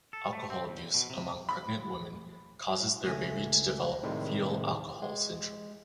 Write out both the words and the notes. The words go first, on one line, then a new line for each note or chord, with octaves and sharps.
Alcohol abuse among pregnant women causes their baby to develop fetal alcohol syndrome.
A4
A3
C4
E2
B2
C3
B5
C#2 A3 G#5 A#6
A2 C3 D#3 G3 G#3
G#3